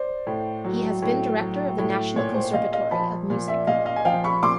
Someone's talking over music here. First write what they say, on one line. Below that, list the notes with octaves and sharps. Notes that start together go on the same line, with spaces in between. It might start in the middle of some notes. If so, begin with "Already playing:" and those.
He has been director of the National Conservatory of Music.
Already playing: C5 D5
A2
F#3
A2
F#3
A2
A#2 C#5
C5
A#2 D#5 F5
D#5 F5
F3 A5 B5
A#2
D5 E5
A#2 D#5 F5
D#5 F5
G#5
F3 F5 G5
B5 C#6
A#2 C6 D6